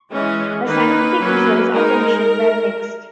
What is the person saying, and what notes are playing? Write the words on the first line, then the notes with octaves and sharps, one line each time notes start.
The scientific results of the mission were mixed.
E3 G#3 C#4
D#3 A#3 D#4 B4
F#3 A#3 C#4
G#3 D#4 A#4